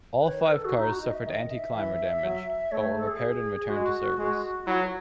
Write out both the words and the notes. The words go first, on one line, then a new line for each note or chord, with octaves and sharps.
All five cars suffered anticlimber damage, but were repaired and returned to service.
B4
D#3 C#5
B4
A4
F#4
D#4
F#4
D#5
E5
D#3 D#5
E5
E3
F#3
A3 C#5
A4
G#4
G#3 F#4
G#3
F#3 E4
C#5